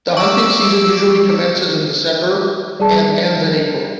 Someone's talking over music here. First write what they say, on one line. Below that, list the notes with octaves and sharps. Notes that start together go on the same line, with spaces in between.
The hunting season usually commences in December and ends in April.
C#6 D6 E6
G3 G#4 A5